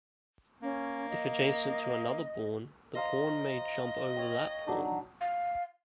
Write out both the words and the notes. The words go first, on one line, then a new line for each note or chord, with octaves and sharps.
If adjacent to another pawn, the pawn may jump over that pawn.
A#3 C#4
D#5
C5 D#5 F5 A#5
C#5 G5
F#3 D4 D#4
F5